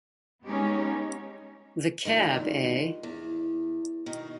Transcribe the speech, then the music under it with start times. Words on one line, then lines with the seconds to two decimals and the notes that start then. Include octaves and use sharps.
The cab, eh?
0.45 G#3 B3 C#4 D#4 G4
2.05 G2 A#2 D3 D#3 G#3
3.03 E2
4.06 B2 D#3